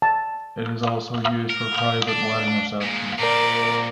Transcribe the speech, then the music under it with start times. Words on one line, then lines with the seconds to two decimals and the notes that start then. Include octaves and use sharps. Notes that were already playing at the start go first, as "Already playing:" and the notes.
It is also used for private wedding receptions.
0.02 A5
1.50 A#4
2.09 D4
2.81 A#2 G#3
3.19 A#2 C4 A#4 D5